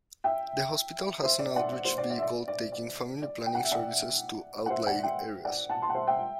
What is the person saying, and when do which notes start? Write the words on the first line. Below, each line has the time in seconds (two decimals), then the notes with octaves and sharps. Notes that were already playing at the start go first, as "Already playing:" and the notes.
The hospital has an outreach vehicle taking family planning services to outlying areas.
0.24 E5 G5
1.23 C5 E5
1.39 D5
1.56 D5 F#5
1.73 D5
1.85 C5
1.98 D5
2.10 D5
2.18 E5
2.22 D5
2.48 D5
2.72 D5
3.22 D5
3.46 G5
3.55 F#5
3.64 E5
3.72 D5 F#5
4.66 F#5
4.70 C5 E5
4.87 D5 F#5
5.03 E5 G5
5.45 D5 F#5
5.70 F#5 A5
5.82 A5 C6
5.90 F#5
5.94 C5 E5
6.07 E5 G5